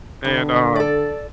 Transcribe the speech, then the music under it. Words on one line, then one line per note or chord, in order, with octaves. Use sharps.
and, um,
G2 D3
A4 D5